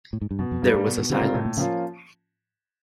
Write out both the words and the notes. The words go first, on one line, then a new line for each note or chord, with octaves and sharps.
There was a silence.
A2
G#2
G2
F#2 B2
F2
G2 G3 A#3
G#2
B2
G#2
D3 G3 C4 F4 A#4
C#3
A2 C3
A#2
C#3 F3 A#3 C#4 F4